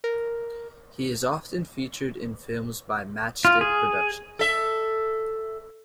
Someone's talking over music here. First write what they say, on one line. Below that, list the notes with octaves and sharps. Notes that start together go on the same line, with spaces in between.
He is often featured in films by Matchstick Productions.
A#4
F4
G#4
A4 E5